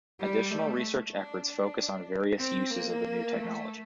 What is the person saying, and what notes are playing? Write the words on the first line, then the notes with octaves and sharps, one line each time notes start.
Additional research efforts focus on various uses of the new technology.
G3
A3
D4
D4
C4
A#3
A3